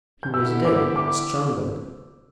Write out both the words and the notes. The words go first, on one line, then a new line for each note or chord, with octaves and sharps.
He was dead--strangled.
G6
D3 B3 E4 G4 E6
D6
D6